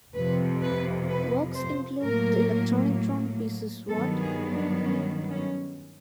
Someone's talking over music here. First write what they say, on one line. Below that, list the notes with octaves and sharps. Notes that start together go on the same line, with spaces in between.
Works include the electronic drone pieces What??
F2 C3 F3 B4
B4
B4
C5
A2 F#3 A#3 A#4
G2 D#3 F#3 B3 A4
G#4
D4
C#4
C#4